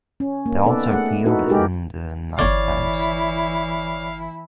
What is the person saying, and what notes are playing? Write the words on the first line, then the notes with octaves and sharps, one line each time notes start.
They also appeared in the Night Times.
C#4
A#3
B3 D#4 A4 B4 D5
A3 G#4 F#5
D#4 E4 F#4 A4 B4
G#3 D#4 G4 G#4 A#4
G1 E3 E4 C#5 D5 F5